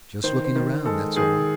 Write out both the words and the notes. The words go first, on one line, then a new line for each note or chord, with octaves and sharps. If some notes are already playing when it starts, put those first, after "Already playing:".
"Just looking around, that's all."
D#3 C5
C5
D#3
G#3 A4
D#3 G#4